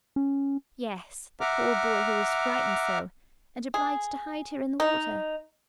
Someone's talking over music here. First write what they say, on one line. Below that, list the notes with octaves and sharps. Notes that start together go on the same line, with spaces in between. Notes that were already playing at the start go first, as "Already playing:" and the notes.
'Yes, the poor boy who was frightened so, and obliged to hide here in the water.'
C#4
E5 F#5 A#5 D6 F6
G#4
D#4